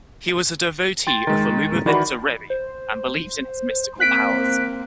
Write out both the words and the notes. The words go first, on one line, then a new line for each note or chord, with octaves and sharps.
He was a devotee of The Lubavitcher Rebbe and believed in his mystical powers.
G5 C6 A6
D#3 G#3 A6
D#3 E3 E4 F#4 D5 B5
C5
A#3 C4 F#6 B6 D7